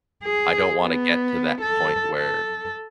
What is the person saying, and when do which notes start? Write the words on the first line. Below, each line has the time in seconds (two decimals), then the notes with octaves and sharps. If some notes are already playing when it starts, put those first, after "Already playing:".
I don't wanna get to that point where"
0.24 G#4
0.82 B3
1.61 A4
2.15 A4